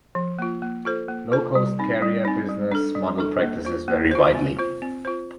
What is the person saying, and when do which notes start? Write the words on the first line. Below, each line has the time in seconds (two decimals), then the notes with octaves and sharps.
Low-cost carrier business model practices vary widely.
0.15 F3
0.39 A#3 F4
0.62 A#3
0.85 F4 A4 C5
1.08 A#3
1.32 F4 A4 C5
1.55 G3
1.79 C4 D#4
2.02 G3
2.25 C4 D#4
2.49 G3
2.72 D4 A4
2.95 G3
3.18 D4 A4
3.42 A#3
3.65 F4 C5
3.88 A#3
4.11 F4 C5
4.35 C4
4.59 F4 C5
4.82 C4
5.05 F4 C5